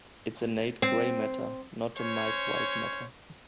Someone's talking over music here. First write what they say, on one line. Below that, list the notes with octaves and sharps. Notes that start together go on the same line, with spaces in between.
It's a Nate Gray matter, not a Mike White matter.
C4
C#4 C5 C#5